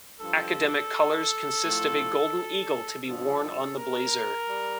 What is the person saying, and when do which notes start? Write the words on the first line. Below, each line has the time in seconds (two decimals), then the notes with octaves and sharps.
Academic colours consist of a golden eagle to be worn on the blazer.
0.20 G2 F3 A4
1.63 A2 F3
3.06 G2 D3 F3 A4
3.78 A#4
4.49 G3